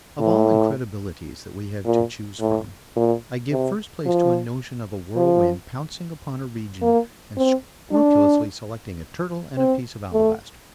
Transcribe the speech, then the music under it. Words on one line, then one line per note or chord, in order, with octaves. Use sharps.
Of all incredibilities that we have to choose from, I give first place to a notion of a whirlwind pouncing upon a region and scrupulously selecting a turtle and a piece of alabaster.
A2
A#2
A2
A#2
C3
F3
F3
A#3
C4
D4
C4
A3